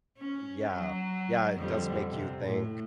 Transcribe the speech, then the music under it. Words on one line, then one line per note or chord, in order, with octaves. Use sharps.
Yeah. Yeah, it does make you think,
C#4
F#3
F2 D3 G3
C3
A2